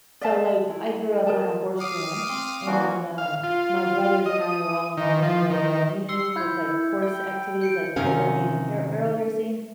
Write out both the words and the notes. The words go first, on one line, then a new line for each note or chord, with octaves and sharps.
so, like, I grew up on a horse ranch, and, um, my brothers and I were all involved in the rodeo, me with, like, horse activities, like, pole bending and pear barrel racing,
D5 E5 F5 A5
E4
A#4 D#5 A5
F5 D6 D#6
C4
E3 A#3 C#4 F#4 D5
F5
F4
F4
D#5
D#6
D#3
F3
D#3
C6 E6 C#7
E4 B5 G6 G#6
G5
G6 C#7 D7
C3 D#3 C#4 F5